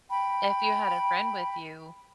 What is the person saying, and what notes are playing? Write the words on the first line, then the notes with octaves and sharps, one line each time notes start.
If you had a friend with you,
G5 B5